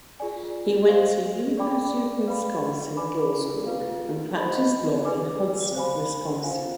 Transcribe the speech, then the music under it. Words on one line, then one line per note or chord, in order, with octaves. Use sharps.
He went to University of Wisconsin Law School and practiced law in Hudson, Wisconsin.
F4 G#4 D5 G#5
G#4 C5 F5
G#4 D5 G5 B5 D6
B4 F5 B5
B4 D5 G#5 B5 D6
F4 G#4 B4 F5
C5 D#5 B5
B4 D5 G#5 D6
C5 F5 G#5 B5
F4 C5 F5 G#5